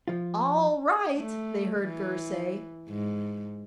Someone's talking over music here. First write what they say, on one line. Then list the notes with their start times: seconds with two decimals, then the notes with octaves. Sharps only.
"All right!" they heard Gurr say.
0.08 F3 F4
1.16 A3
1.79 E3
2.89 G#2